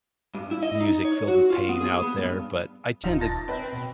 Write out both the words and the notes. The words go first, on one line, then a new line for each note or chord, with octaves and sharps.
music filled with pain out there, but I tend to
G2
E4
D#5
D#4
C#5
F#4
F4
B3
G#4
B3
G2
D#1 D#4 F4
A5 A6 A#6
C4 B4 G5
B2